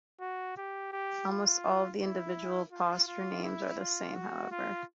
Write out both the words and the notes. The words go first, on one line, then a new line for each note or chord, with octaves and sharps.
Almost all of the individual posture names are the same, however.
F#4
G4
G4
F4
E4
F4
F4
E4
F4
F#4
F4